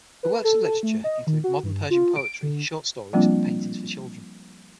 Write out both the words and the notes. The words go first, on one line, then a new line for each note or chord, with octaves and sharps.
Her works of literature include modern Persian poetry, short stories, and paintings for children.
B4
A4
A3
D#5
D#3
F#4
G2
F4
D7
D3
F3 G3 A#3 C4 D4 F4